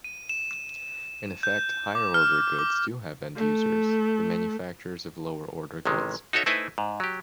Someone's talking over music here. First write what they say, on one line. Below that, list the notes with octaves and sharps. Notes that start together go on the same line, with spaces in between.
In effect, higher-order goods do have end users, the manufacturers of lower-order goods.
D#7
E7
G6
D6
F6
D6
A3
A1 C3 D#3 G#3
D#4 F#4 A4 C#5 E5
A3 D#4 E4 B4 C5 G#5
G#2
F#3 G4